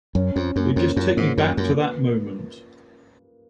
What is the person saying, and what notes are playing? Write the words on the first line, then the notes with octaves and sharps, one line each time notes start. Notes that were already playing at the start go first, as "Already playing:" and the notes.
They just take me back to that moment.
F#2 C#4
F2 C#4
F#2 A#3
F2 C#4
F#2 F4
G#2 A#3
F#2 F4
F#2 A#3
B4